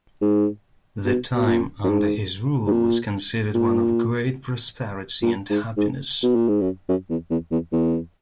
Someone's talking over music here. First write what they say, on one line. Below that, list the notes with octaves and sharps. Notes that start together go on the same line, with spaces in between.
The time under his rule was considered one of great prosperity and happiness.
G#2
B2
B2
A#2
F#2
G#2
G#2
A#2
A#2
A#2
G#2
G#2
B2
A#2
G#2
F#2
F#2
E2
E2
E2
E2